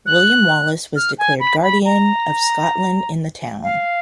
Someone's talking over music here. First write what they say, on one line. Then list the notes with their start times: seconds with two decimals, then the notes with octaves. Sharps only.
William Wallace was declared guardian of Scotland in the town.
0.06 F#6
0.96 F6
1.19 G#5
1.40 B5
1.63 B5
1.85 A#5
3.63 F5